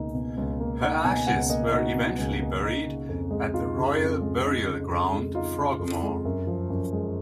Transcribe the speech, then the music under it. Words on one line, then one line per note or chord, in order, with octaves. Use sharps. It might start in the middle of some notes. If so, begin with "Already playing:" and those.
Her ashes were eventually buried at the Royal Burial Ground, Frogmore.
Already playing: C#2 B2 A#3 D#4
B2
C#2
A#3
D#4 F#5
B2 G#5
G#5
C#2 F#5
A#3 D#5
D#4 F#4
B2
C#2
A#3
D#4
C#3
F2
G#3
D#4 F4
C#3
F2
G#3
D#4
C#3
F2
G#3
D#4 F4
C#3
F2
G#3
F#2
F3
F#2
G#3